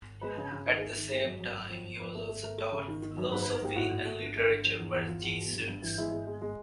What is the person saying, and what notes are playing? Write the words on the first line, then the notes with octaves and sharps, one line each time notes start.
At the same time he was also taught philosophy and literature by Jesuits.
G#3 B4
C#3
C#3
D#3 A#4
G#4
A3
A4
D#3
G#3
F#2
F#2
F#3
F2
F2
F2 B4
A3
A3
A3 A#4
A3
C#3
D#3
D#3
F#2
G#2 B4
B4
G#2
A#4
G#2 G4
A2 F#4
A2
A3
D3
A3
D3
F3
E2
E2
E2 F4
E2
B2
G2
G2
E3
G#3 E4
G#3
G#3
G#3